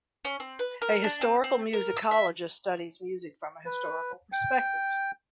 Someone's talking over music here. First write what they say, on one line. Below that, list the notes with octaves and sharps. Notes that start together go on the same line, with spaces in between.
A historical musicologist studies music from a historical perspective.
C#4
C4
B4
A#4
D4
C4
C4
A#4
E6
E5
B4
G5